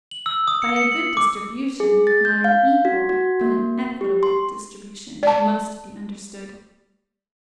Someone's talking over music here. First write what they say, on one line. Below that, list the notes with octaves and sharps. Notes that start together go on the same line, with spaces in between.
By a good distribution, not an equal but an equitable distribution must be understood.
F#7
E6
D#6
C#7
C#7
F#7
C#7
D6
G#4
A6
G6
F5
F#4
F#4
A#3
G4
C6
D5 A5